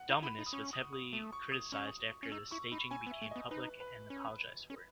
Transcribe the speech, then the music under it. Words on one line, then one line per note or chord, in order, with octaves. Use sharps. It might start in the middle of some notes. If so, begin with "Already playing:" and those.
Dominis was heavily criticized after the staging became public and apologized for it.
Already playing: F#5
E4
E4 B5
D#4
D#6
C#4 C#6
D#6
D#6
A3
C#6
D#6
C#4 C#6
C#4
D#4 E6
E4 C#6
D#4 B5
C#4 G#5
B3
E5
A3
B3 D#5
D#4 B4
B4
C#4
C#4